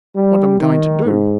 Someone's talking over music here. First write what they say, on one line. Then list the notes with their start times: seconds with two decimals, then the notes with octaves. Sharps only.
"What um going to do?"
0.16 G3
0.60 D#3
1.05 G#2